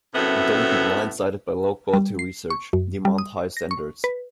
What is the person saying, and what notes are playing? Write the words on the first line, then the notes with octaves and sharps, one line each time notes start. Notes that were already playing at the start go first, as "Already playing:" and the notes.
Don't be blindsided by low-quality research, demand high standards.
F#2 A2 C3 B3 A4 E5
G3
C7
C#6
F#2
G3
D#6
A#6
C#6
B4